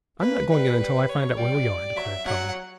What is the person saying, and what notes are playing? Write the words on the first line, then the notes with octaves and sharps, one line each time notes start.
"I'm not going in until I find out where we are," declared Tom.
A#3 B4
G3 B4
G3
C#5
G3 D5
F#3 E5
F#3 F#5